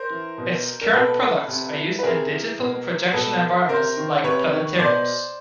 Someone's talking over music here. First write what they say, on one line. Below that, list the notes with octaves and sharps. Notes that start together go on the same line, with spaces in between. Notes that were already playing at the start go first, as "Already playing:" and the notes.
Its current products are used in digital projection environments like planetariums.
Already playing: A#4 C5
E3
B2
A#4
B2 A4 B4
C3
E3
B4
C3 G#4 A#4
E3
B2
B2 A4 B4
C3 A#4 C5
D#3
C3 B4 C#5
D#3
B2 C5 D5